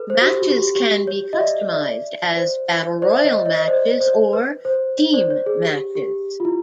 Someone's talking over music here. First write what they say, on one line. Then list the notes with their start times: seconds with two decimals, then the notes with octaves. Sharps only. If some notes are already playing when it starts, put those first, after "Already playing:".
Matches can be customized as battle royal matches or team matches.
Already playing: A4 B4
0.10 C5
0.21 F#4
0.26 G4
0.42 F#4
0.50 G4
0.58 F#4
0.75 G4
1.07 C#5
1.33 D#5
1.39 D5 E5
1.73 D5 E5
2.37 C5
3.02 C5 D5
3.14 E5
3.24 C#5 D#5
3.45 C#5 D#5
3.68 C5 D5
4.01 C5
4.33 B4
4.65 C5
4.98 C#5
5.14 C5 D5
5.30 C#5
5.46 G#4
5.63 G4
5.95 G4
6.40 F4
6.45 E4